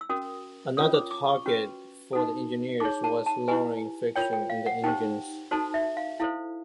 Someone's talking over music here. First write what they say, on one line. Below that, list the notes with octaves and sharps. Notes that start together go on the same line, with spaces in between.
Another target for the engineers was lowering friction in the engines.
E6
C#4 F#4 A#4 D#6
C#4 F4 A#4 C#5 D#6
D6
D6
C#6
C#4 F#4 B4
D#4 F#4 A4
D#4 G#4 C#5 D6
A5
A5
E4 G4 B4 G#5
F4 A#4 C#5 G5
G5
F5
F#5
D#4 G4 C5 G5
D#4 F#4 A4 C5 A5
E5
F5
E4 A4 C5 F5